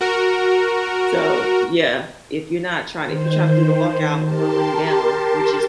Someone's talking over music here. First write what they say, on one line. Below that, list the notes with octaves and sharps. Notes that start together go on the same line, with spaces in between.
so yeah, if you're not trying if you're trying to do the walkout, no money down, which is,
F#4 A#4
D#3 C5
G4 A#4 A5 C6